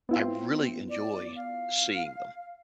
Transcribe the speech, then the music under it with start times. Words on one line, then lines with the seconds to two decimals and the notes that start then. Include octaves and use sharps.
I really enjoy seeing them.
0.09 B3 C4 E4 F4
0.89 D5
1.36 F5